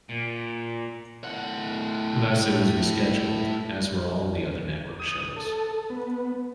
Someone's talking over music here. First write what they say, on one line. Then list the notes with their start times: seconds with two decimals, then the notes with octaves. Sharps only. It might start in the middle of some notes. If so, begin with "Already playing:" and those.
Thus it was rescheduled, as were all of the other network shows.
0.09 A#2
1.24 A2 F#5
5.00 D#6
5.36 A4
5.90 B3